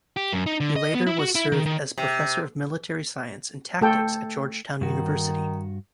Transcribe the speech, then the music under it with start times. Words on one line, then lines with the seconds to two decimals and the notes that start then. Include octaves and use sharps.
He later was served as professor of military science and tactics at Georgetown University.
0.17 G4
0.33 F#2
0.46 D#4
0.60 D3
0.76 D#5
0.95 B3
1.07 E4
1.19 F#4
1.35 E4
1.52 D#3
1.66 D#3
1.98 C3
3.81 A3 A4 G5
4.81 G2 D#3 F#4